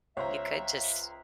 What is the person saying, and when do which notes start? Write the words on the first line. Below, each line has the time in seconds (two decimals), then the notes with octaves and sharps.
you could just
0.17 C#2 C5 C#5 E5 A#5